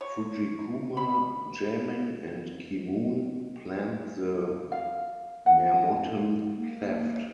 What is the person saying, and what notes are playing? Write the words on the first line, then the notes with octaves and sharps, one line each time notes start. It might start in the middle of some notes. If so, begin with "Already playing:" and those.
Fujikuma, Jamin and Khimoun planned the Marmottan theft.
C#5
B5
F5
F#5
A#3